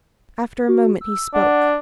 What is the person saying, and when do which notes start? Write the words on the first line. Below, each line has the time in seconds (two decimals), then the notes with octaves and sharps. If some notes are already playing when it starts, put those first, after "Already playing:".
After a moment he spoke.
0.68 F#4
1.01 E6
1.34 D4 F#5